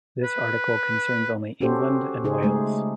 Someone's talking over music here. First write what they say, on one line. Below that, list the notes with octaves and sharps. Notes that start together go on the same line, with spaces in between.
This article concerns only England and Wales.
B4
C#4 F#4 G4 A4 C5
C#3 D#4 G#4 C5
G#3 A3 G#4